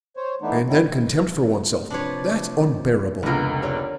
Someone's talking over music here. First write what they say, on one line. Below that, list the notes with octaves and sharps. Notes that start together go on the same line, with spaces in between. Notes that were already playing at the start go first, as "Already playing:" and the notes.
And then contempt for oneself, that's unbearable.
C5 C#5
E3 A3 B3 D4 D#4
G2 D#3 F#3 G3 E4
C3 F3 D4 B4 C#5
F1 C#2 D3 A#3 B3 A#4
G4 C#5 D5